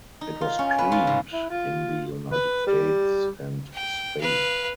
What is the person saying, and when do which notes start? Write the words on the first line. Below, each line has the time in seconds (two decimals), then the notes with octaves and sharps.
It was screened in the United States and Spain.
0.21 D#4
0.41 F4
0.59 C#4
0.78 B4
0.92 F4
1.07 G#2
1.33 E4
1.50 F4
2.32 B4
2.67 G3
3.73 G5
4.21 B4 F5